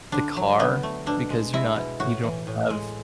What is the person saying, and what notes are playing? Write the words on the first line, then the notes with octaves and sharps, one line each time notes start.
the car, because you're not you don't have
D3 D4
F#3
D3 B3
A3
B2 D4
G#3
G#3 E4
B2
A2 F#4
E3
A2
G#3